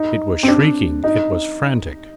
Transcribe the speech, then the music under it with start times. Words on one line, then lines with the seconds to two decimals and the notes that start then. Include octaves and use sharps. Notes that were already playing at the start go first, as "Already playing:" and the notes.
It was shrieking, it was frantic!
Already playing: D#4
0.43 C4
0.48 D4
1.04 D#4